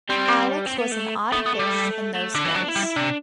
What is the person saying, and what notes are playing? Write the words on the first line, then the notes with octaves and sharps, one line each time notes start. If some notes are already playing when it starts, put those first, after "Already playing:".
Alex was an odd fish in those days.
G3 C4
C4
B3
A3
A3 B3
B3
A3
G3
A3
D3 D4
E3 E4
F#3 D4
E4
G3
E4
C3 D4